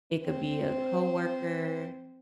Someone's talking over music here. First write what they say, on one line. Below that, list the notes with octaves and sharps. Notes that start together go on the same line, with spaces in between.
It could be a coworker,
C4 C5